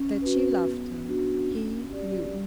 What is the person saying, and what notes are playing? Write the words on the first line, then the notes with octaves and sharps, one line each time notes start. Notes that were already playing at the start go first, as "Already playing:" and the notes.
That she loved him, he knew.
Already playing: C#4
F#4 B4
B3
D4 F#4
C#4
G4 D5
G3